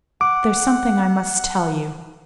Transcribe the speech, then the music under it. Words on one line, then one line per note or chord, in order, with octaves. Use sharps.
'There's something I must tell you.
F#5 D6